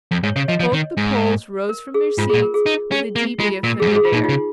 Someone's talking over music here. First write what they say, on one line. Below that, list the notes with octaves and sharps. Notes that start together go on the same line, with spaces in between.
Both the Poles rose from their seats with a deeply offended air.
F2
G#2 C#5
C#3 C#5
F3 D#5
F3 C#5
D#3
G#2
A#4
G#4
G#2 F4
A#2 G#4
A#4
G#4
D#4
C#4
A#3
G#3 F4
A#2 A#4
F2 G#4
G#2
G#4
F4
A#2 D#4
C#3 F4